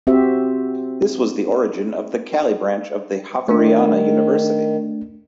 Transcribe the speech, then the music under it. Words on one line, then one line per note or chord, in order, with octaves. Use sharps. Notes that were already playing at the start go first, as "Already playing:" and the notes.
This was the origin of the Cali branch of the Javeriana University.
C4 F#4 G4 C5 E5
D#3 A3 D4